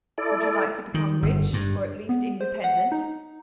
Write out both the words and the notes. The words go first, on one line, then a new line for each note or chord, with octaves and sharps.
Would you like to become rich, or at least independent?
E4 A4 D5
D#3
G1
G2
B3
C5
F#5
D#4